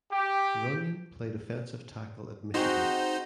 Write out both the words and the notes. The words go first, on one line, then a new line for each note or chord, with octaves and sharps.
Runyan played offensive tackle at Michigan.
G4
C4 D#4 F#4 G#4 C5